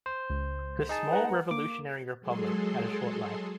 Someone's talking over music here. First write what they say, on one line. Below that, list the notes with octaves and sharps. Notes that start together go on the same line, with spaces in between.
The small revolutionary republic had a short life.
C5
C#2
D#4 G#4 A5
B4 F#5 A#5
A#3 D6
F#3 G#3 G#4 A4 C6